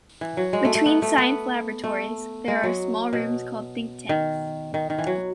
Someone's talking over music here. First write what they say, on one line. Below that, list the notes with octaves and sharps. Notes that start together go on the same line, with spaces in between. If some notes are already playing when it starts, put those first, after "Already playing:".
Between science laboratories, there are small rooms called think-tanks.
E3
F#3
G#3
A3
A3
B3
A3
B3
A3
G#3
F#3
B2
D#3
D#3
D#3
E3
F#3